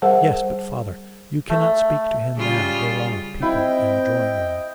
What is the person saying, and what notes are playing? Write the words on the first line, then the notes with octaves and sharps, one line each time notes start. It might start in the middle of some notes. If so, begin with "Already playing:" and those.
'Yes; but, father, you cannot speak to him now, there are people in the drawing-room.'
G3 G#4 A#4 C5 F#5 A5
A3
C#3 G3 F4
C4 E4 D#5 G5 B5